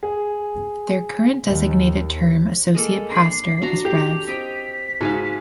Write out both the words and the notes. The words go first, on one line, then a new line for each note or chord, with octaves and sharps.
Their current designated term associate pastor is Rev.
G#4
D#2
G#3 A#3 A4
D4 B5 C7
D4 F#4 A#5
G4 F7
C4 D#5 G5 B6
G#2 F#4 G#4 F5